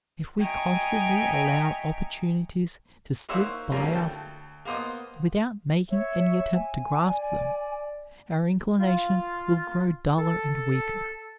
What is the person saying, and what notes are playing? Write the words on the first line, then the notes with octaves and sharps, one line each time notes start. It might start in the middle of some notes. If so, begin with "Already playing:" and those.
If we constantly allow opportunities to slip by us without making any attempt to grasp them, our inclination will grow duller and weaker.
D#5 E5 G5 G#5 A#5 C#6
A#3 D#4 C5 C#5 E5 F#5
F3 G3 A3 A#3 C#4 A#4
D2 A4 G5
A#3 B3 C5 D#5 D#6
C#5 E5
G#5
D5
F4
A4